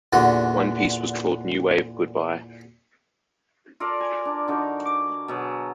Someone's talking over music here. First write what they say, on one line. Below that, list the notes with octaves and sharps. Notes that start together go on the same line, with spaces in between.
One piece was called "New Wave Goodbye".
E2 A#2 D3 F#4
F4 A4 A#4 D5
G#5
D4
D3 D#4 F#4 A#4
D6
B2 F#3 G#4